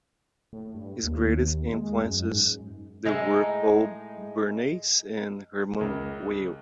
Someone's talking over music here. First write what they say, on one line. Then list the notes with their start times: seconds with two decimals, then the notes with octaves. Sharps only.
His greatest influences there were Paul Bernays and Hermann Weyl.
0.53 A2
0.74 G2
1.04 D#2
1.74 G#3
2.02 F#2
2.29 G#2
3.05 A2 G#3 D#4
5.78 C#2 C#4 A#4